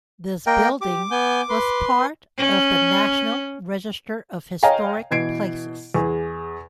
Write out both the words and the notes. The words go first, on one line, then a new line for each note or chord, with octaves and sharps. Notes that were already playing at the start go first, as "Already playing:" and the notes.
This building was part of the National Register of Historic Places.
A#3 A#4 D#5 G5
G4 D6
B3 G#5 G6
B4 C6
C#4
C#5 D#5 F5 G5 G#5 A#5
B2 E3 G#6 C7 D7
E2 G#4